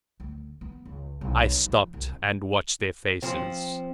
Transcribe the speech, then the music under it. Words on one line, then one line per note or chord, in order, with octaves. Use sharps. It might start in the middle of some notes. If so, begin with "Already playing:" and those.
I stopped and watched their faces.
D2
B3
C#2
B1
F3
C2
F3 C4